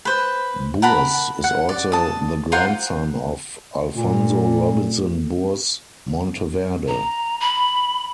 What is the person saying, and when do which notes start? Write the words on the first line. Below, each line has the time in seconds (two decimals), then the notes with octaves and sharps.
Bours is also the grandson of Alfonso Robinson Bours Monteverde.
0.05 B4 C5
0.82 A#4 F#5 A5 B5
1.44 F#5
1.69 D5
1.92 A5 D#6
2.52 F4 A#4 C5 F#5
3.95 A#2 A3
6.88 A#5
7.40 B5